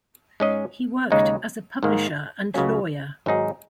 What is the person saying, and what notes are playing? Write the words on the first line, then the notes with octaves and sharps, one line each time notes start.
He worked as a publisher and lawyer.
G#2 G#3 C#4 G#4 D#5
D#2 C#3 G#3 D#4
G#2 D#3 A#3
C#2 C#3 F#3 A#3 C#4
G#1 G#2 F#3 D#4 G#4